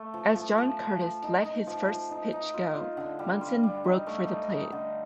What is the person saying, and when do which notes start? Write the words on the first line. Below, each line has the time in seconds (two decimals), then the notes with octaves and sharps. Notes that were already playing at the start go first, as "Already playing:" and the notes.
As John Curtis let his first pitch go, Munson broke for the plate.
Already playing: A3
0.14 F3
0.36 F3
0.58 F3
0.79 F3
1.01 F3
1.23 D#4
1.45 D#4
1.67 F3
1.88 F3
2.11 D#4
2.33 D#4
2.54 F4
2.76 F4
2.97 D3
3.19 G3
3.41 F4
3.63 G3
3.84 D#4
4.06 A3
4.28 D#4
4.50 D#4
4.72 D3